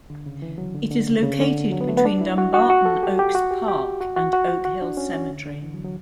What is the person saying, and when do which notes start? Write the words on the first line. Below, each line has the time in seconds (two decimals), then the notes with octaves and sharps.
It is located between Dumbarton Oaks Park, and Oak Hill Cemetery.
0.10 D3
0.26 C#3
0.42 E3
0.58 F#3
0.75 D3
0.91 D3
1.07 C#3
1.23 C#3
1.40 D3
1.72 F#3
1.81 B3
1.88 A3
1.97 B3
2.05 D4
2.21 E4
2.38 F#4
2.54 F#4
2.70 F#4
2.86 A4
3.03 G4
3.19 G4
3.35 F#4
3.51 G4
3.68 G4
4.01 F#4
4.16 F#4
4.33 F#4
4.48 F#4
4.65 F#4
4.82 D4
4.97 C#4
5.14 C#4
5.30 D3
5.46 D3
5.63 E3
5.74 F#3
5.84 F#3